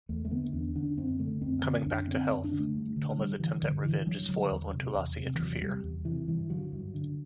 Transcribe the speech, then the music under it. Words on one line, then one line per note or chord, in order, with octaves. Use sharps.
Coming back to health, Thoma's attempt at revenge is foiled when Thulasi interfere.
E2 A3
A3
D3 B3
E2 D4
D3 D4
F#2 C4
D3 A3
F#2 C4
D3
F#2 D4
D3 C4
F#2
D4
D3
A3
G2
D3
G2 G3
D3 E3
G2 D3
D3 E3
G2 F#3
D3 F#3
E2
C3
E2
C3
E3
E2 F#3
C3 G3
E2
C3 E3
G2 E3
D3 F#3
G2
D3